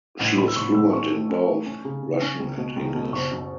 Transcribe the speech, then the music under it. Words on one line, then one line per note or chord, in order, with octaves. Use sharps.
She is fluent in both Russian and English.
A1 F#5
A1 B5
E6
A1 C#6
A1 E6
C#4 C#6
A3
C#4
A3
C#4
C#3
C#3
C#4
C#2
B2
C#2
B2
F#1 C#6
F#2